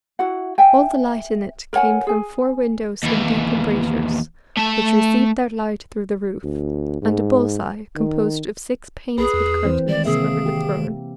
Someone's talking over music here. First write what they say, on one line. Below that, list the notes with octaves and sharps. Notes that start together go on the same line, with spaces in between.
All the light in it came from four windows in deep embrasures, which received their light through the roof, and a bull's-eye, composed of six panes with curtains, over the throne.
E4 F#4 F#5
E5 G5 G#5
A#4 C#5 F#5 G#5
G#4 G#5
D#2 E3
A3 A5
D2
G#2
D#3
A#1 G#4 B4
E2
E3 C4 C5
D#3 G#3 D5
C3 A#3 G#4 E5
G4